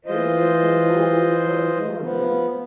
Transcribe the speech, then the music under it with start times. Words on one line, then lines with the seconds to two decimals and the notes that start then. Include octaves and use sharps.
Hence let her go with her new husband.
0.06 E3 F4 C5 D#5
2.01 F3 B3